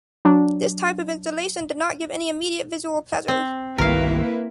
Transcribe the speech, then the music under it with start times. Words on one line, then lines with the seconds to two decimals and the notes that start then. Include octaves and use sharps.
This type of installation did not give any immediate visual pleasure.
0.25 F#3 D4
3.28 C4
3.78 G1 C2 D#3 A#3 E4 A#4 B4 F5